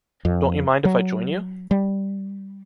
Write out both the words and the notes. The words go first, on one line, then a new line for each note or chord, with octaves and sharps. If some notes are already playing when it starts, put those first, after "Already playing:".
Don't you mind if I join you?
F2
F#3
G3